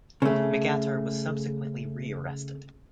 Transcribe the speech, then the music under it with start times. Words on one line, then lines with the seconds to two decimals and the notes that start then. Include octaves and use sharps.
McAteer was subsequently rearrested.
0.22 C#3 A3